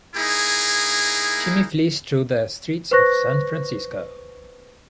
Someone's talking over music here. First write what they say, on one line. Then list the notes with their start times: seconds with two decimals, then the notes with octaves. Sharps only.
Jimmie flees through the streets of San Francisco.
0.15 A#3 D#4 E4 G#4
2.91 B4 C5 C#6 F#6 A#6